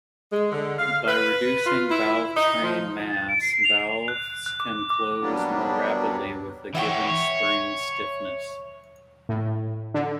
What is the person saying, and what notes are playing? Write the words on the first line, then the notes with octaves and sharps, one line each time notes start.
By reducing valvetrain mass, valves can close more rapidly with a given spring stiffness.
G#3
D3
F5
B4
F4
E4
D#4
F3
A6
D7
C7
F7
F#6
F#6
D6
D6
F#3 G3 A#3 B3 D4
E3 C#5 E5 F#5 G5
C#5
A2
D3